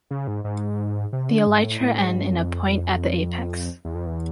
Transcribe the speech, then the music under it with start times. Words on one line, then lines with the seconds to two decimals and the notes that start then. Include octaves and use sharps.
The elytra end in a point at the apex.
0.11 C#3
0.27 G#2
0.44 G#2
1.13 C3
1.29 D3
1.47 G#2
1.64 A2
1.80 A2
1.97 G#2
2.15 G2
2.31 F2
3.85 E2
3.95 F2
4.06 E2